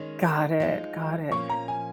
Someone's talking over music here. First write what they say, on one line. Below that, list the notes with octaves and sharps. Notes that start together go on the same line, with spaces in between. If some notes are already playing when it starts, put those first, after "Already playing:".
Got it. Got it.
Already playing: D#3 G#3 C#4
F3 G#3 D#4
A#2 F3 A#3 C#4 C#6
A#5
G#5